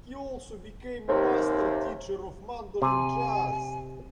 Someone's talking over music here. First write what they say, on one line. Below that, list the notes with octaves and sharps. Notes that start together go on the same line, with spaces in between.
He also became a master teacher of mandolin jazz.
D#2 C3
C3 G#5